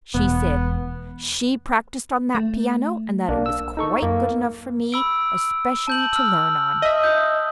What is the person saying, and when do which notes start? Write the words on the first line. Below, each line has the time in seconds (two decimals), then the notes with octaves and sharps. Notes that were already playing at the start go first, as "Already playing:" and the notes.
She said SHE practised on that piano, and that it was quite good enough for me, especially to learn on.
0.14 E1 B3
2.35 A3
3.29 B1 A#3 D4
3.46 E6
3.77 D#4 A4 C#6
4.03 F#2 A#3
4.92 B5 E6 D7
5.87 A5 G6 F#7
6.13 E6 F6
6.82 D#5 E5
7.04 D#6 G6